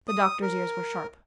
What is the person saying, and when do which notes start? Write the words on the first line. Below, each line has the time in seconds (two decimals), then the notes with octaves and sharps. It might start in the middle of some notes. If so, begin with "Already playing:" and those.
The Doctor's ears were sharp.
0.08 D#6
0.42 A#4